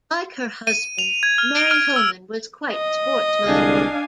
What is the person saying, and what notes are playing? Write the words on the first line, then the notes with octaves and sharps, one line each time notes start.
Like her husband, Mary Hulman was quite sports-minded.
D#7
F7
G#6
F6
D7
F6
E6
D#5
C2 D3 G#3 D4 F5 G#5